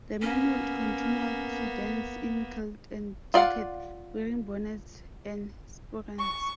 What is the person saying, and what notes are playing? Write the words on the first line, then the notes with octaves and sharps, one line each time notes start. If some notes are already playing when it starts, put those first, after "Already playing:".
The men would continue to dance in kilt and jacket, wearing bonnets and sporrans.
A#3 B3 C#4
F4 D5 F5 F#5
C#6